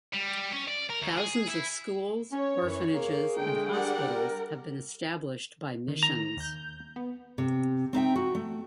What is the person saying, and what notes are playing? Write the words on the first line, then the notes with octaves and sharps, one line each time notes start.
Thousands of schools, orphanages, and hospitals have been established by missions.
G3
C#4
D5
A#4
D2
G#4
E4
C#4 C#5
F#2 E3
A#3 G#4
D3 G#3 A3 G5
G3 D4 A#4 F#5
A#4
D#3
A#5
D#2 G6
B3
C3
C4 D#4 E5 G5
F#4
A3